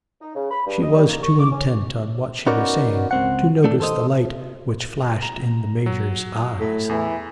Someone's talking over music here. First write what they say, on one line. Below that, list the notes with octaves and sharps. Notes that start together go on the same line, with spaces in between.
She was too intent on what she was saying to notice the light which flashed in the Major's eyes.
D#4
C#3
B5
G2
D#5
G3
A#3
C#6
D6
C#4
B3 C#4 D#4 F#4 A#4 D5
C#2 C4 F#5
A3 D4 A4
A4 C5 D#5
A#5
F#3
A2
E2 E3